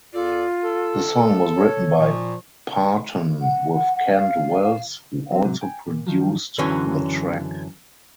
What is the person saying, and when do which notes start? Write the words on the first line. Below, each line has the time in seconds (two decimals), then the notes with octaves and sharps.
The song was written by Parton with Kent Wells who also produced the track.
0.14 E2 F4 A4 D5
0.63 A4
1.56 C#5
1.98 A#2 F3 C#6
3.41 F#5
4.12 F5
5.32 F#3 C4
5.43 G#2 C3 F#3
5.61 G5 G#5
5.87 A#2
6.07 D#3 F3 F#3
6.58 F#2 D3 E3 F#3 C#4